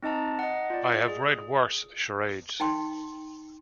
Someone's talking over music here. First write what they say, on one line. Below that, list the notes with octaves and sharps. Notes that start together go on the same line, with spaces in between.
I have read worse charades.
C4 D#4 D#5 A5 A#5
D#5 F#5
F4 D5
G#4
D#4 G5 C6